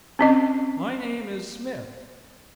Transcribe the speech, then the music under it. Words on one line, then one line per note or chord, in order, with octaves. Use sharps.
"My name is Smith."
C4 C#4 D#5